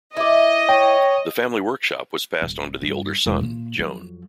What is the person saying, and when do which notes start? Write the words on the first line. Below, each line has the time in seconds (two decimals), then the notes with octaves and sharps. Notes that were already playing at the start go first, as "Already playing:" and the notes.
The family workshop was passed onto the older son, Joan.
0.17 E4 D5 D#5
0.69 C#5 G5
2.42 D#1
2.83 G2
3.26 E1
3.41 A#2
3.79 F2 F#3